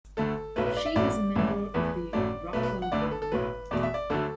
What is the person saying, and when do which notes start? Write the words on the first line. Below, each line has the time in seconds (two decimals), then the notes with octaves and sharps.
She is a member of the Rockefeller family.
0.17 D2 D3 A3 A4
0.56 B1 A2 F#3 A3 B4
0.66 B4
0.77 D5
0.86 E5
0.95 A1 A2 F#3 A3 D5
1.36 A1 A2 E3 A3
1.74 E2 E3 A3 B4
2.13 A1 A2 F#3 A3 D5
2.53 B1 B2 A3 B4
2.63 B4
2.82 F#5
2.92 D2 D3 A3 D5
3.01 B4
3.11 A4
3.22 A4
3.32 B1 A2 F#3 B4
3.71 E2 B2 A3 D5
3.83 E5
3.94 D5
4.10 D2 D3 F#3 A3 A4